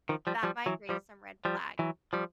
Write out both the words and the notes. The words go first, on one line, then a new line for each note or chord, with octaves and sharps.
that might raise some red flags.
D#3 F3
F3 G3
F3 G3
E3 F#3
F3 G3
F3 G3
E3 F#3
F3 G3